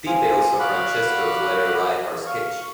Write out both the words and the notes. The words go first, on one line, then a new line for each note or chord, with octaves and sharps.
Details of Francesco's later life are sketchy.
C4 F4 G#4
F#4 D5 F5 F#5 B5
F5 C#6